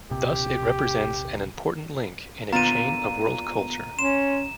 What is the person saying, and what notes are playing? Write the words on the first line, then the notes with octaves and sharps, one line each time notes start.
Thus, it represents an important link in a chain of world culture.
D#1 A#1 C3 G4
A#2 D3 B3 F4 A#5 D#7
C#4 C6 E7